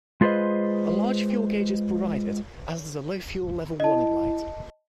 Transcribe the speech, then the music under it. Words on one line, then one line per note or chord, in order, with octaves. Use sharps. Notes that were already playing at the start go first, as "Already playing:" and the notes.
A large fuel gauge is provided as is a low fuel level warning light.
G#3 F4 G#4 B4 C5 D#5
E4 D#5 A5